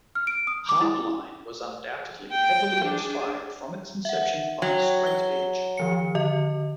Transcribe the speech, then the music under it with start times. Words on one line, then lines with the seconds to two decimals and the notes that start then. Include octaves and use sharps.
Hardline was undoubtedly heavily inspired from its inception by straight edge.
0.15 F6
0.27 D7
0.47 D#6
0.69 D6
0.81 E4
2.32 G5
2.85 D4 G#4
4.05 E5 F#5
4.62 F#3 G5
5.06 G7
5.77 D#3 F3 C#7
6.15 D3 D#5